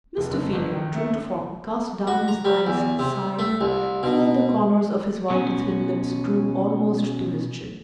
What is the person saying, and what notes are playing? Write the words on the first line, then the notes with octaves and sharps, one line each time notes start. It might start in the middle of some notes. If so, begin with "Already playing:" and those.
Mr. Finney, true to form, cast down his eyes, sighed, and let the corners of his wide thin lips droop almost to his chin.
F1
F#1
G1
D#3
A3
F#4
A#5
G3
E2
C3
A3
C2
B2
B2 C#4